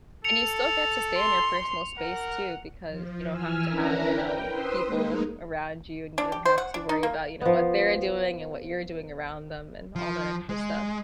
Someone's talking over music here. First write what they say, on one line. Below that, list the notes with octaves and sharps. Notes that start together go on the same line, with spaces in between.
And you still get to stay in your personal space too because you don't have to have, you know, people around you, and you don't have to worry about, you know, what they're doing and what you're doing around them and all that extra stuff,
A4 C#7 F7
C6
A#4 F#5
F3
E3 G#5 E6 F6
C#4 D4 E4 A#4 B4 A#5
G5
B4 C5 C6 D#6 E6
G#3 A#3 D#4
D4
G4
C5
F#5
D4
D#4
A#3
F3 B3
F3
G#3